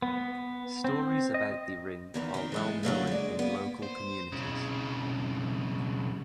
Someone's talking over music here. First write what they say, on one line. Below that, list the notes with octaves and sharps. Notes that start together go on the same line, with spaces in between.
Stories about the ring are well known in local communities.
B3
C4
D#5
E2 D#3 E3
D#3 C4
E3 G#3 A3
D3 F#3 A3 A#3
G#3 D5
A#3 B3
C5
B1 C#3